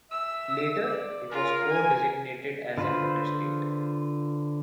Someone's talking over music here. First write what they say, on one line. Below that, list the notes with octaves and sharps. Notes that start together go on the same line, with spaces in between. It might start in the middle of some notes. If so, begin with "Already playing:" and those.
Later, it was co-designated as an Interstate.
E5 E6
D5
F4 A#4
G#5
D3 F4 B4 C5